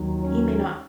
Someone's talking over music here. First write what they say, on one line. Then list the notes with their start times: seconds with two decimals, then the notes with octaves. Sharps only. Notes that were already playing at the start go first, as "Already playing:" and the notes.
he may not
Already playing: D#2 D#3 F#3
0.23 C#4